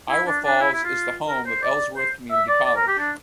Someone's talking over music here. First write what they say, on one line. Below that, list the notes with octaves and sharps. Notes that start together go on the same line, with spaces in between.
Iowa Falls is the home of Ellsworth Community College.
E4
D4
D4
E4
E4
F4
A#4
C5
D5
C5
E5
D5
D5
A#4
G4
D4